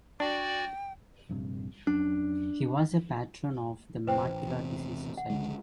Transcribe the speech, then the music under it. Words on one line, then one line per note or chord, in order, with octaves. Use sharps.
He was a patron of the Macular Disease Society.
D4 F#4 D5 G5
A#1 G2 C3
F2 F#3 C#4 D4
F1 B4 C5 G5
A1
E2 C3
F#5
C#2 D3 G#3